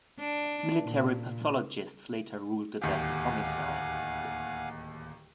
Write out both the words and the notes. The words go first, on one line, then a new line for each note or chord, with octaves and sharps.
Military pathologists later ruled the death a homicide.
D4
A#2
D1 D#2 G4 F5 F#5 G#5